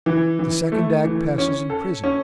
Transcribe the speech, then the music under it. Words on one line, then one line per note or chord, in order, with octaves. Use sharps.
The second act passes in prison.
E3
E3
A3
E3
C#4
A4
C#4